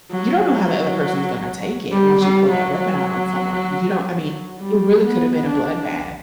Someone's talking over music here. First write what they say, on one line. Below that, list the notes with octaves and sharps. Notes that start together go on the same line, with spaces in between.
you don't know how the other person's gonna take it once you pull that weapon out on someone, you don't I mean, it really coulda been a bloodbath,
F#3
G3
G3
F#3
G3
B3
D4